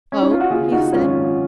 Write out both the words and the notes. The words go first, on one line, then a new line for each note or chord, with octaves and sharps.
"Oh!" he said.
C#4
D#4
F4
F#4
D#2 C#3 F4 G#4
D#4 F#4
G#1 F#2 D#3 C#4 F4